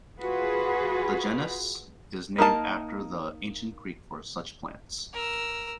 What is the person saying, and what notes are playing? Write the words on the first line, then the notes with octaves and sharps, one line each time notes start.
The genus is named after the Ancient Greek for such plants.
F4 F#4 G#4 B4
A#3 D#4 A#4 A5
A#4 E6